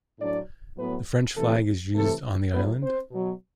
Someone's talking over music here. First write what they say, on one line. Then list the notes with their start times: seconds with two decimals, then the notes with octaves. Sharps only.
The French flag is used on the island.
0.19 A2 F#3 D4 D5
0.78 A2 F#3 B3 B4
1.36 C3 E3 A3 A4
1.94 C3 E3 A3 A4
2.53 A2 F#3 B3 B4
2.82 C4 C5
3.11 B2 F#3